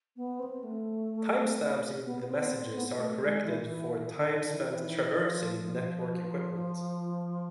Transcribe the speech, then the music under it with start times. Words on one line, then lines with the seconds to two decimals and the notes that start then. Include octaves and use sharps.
Timestamps in the messages are corrected for time spent traversing the network equipment.
0.16 B3
0.39 C4
0.63 A3
2.04 B3
2.22 B3
2.27 C4
2.42 B3
2.51 C4
2.75 B3
2.98 A3
3.22 G#3
3.45 E3
4.15 D3
4.51 E3
4.87 E3
5.13 E3
5.21 F3
5.57 F3